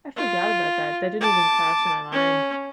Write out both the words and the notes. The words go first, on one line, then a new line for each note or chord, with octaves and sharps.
I forgot about that, that didn't even cross my mind,
F4
A5 D6
C#4